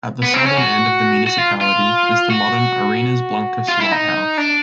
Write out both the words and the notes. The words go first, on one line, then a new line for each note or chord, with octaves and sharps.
At the southern end of the municipality is the modern Arenas Blancas Lighthouse.
B3
C4
C#4
F#4
F#4
F4
F4
F#4
F4
E4
D#4
D4